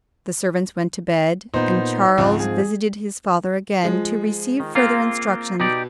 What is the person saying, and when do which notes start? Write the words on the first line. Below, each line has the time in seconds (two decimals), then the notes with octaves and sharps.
The servants went to bed, and Charles visited his father again, to receive further instructions.
1.54 A#2 B3 D#4 C5
2.18 C#2 G#2 F3 C4
2.39 G#4
3.84 F3 G#3
4.60 D#3
4.75 A#3 C4 F4
5.60 B2 D#4 G4 D5